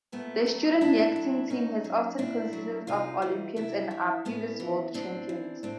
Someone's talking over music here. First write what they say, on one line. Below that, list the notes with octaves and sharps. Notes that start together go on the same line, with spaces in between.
The student yachting team has often consisted of Olympians and are previous world champions.
A#2 A3 B3
F#3
A#2 D4 E4
F#3
A#2 C#4 D#4
F#3
A#2 D4 E4
F#3
C3 D#4 F4
E3
C3 D4 E4
E3
A2 B3 C#4
E3
A2 C4 D4
E3
A2 C4 D4